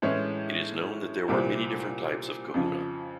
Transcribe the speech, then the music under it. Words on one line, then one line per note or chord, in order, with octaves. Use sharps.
It is known that there were many different types of kahuna.
A2 E3 G#3 C#4
C2 A#2 G3 C4 E4
F2 C#3 F3